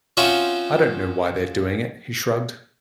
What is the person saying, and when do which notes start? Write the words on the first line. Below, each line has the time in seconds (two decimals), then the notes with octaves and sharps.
"I don't know why they're doing it," he shrugged.
0.17 F3 C4 C#4 F4 F#4 E5